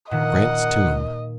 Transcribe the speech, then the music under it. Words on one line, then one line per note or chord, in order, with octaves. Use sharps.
Grant's Tomb.
A#2 D#3 A#4 D#5 F#5